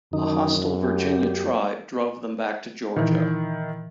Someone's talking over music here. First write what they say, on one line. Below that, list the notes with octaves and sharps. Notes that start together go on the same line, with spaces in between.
A hostile Virginia tribe drove them back to Georgia.
F#2 D#3 D#4
G4
A#2 D#3 E3 E4